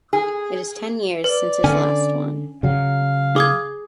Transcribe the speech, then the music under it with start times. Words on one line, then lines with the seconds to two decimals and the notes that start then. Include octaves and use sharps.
It is ten years since his last one.
0.13 G#4
1.24 B4 D5
1.64 D3 C#4 G#5
2.63 C#3 F#3 F5
3.36 G#4 D6 D#6 G#6